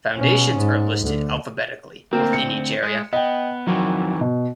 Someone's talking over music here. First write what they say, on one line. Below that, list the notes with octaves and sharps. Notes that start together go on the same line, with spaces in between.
Foundations are listed alphabetically within each area.
B2 C#4
G#2
D2 D3
D2 A#3 C4
C#7
G#3
B3 D#5 G5
F2 D#3 E3 F#3
B2